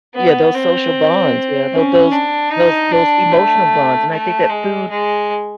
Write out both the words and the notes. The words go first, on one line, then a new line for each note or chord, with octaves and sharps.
yeah, those social bonds, yeah, tho those those those emotional bonds, and I think that food,
B3
C4
C#4
D4
D#4
D4
A3
A3
G#3
G#3